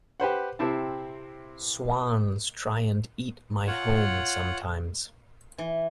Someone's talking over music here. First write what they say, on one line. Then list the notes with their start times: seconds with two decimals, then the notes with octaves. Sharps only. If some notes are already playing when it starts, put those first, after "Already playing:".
Swans try and eat my home sometimes.
0.20 G4 B4 C5 F#5
0.59 C3 C4 E4 A5
3.67 F4 C#5 F#5
5.58 E3